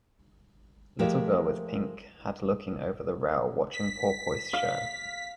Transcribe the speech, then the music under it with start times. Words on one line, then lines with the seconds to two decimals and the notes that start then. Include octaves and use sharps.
Little girl with pink had looking over the rail watching porpoise show.
0.99 F3 G#3 A3 G4 A#4 E5
3.73 B6
4.53 F5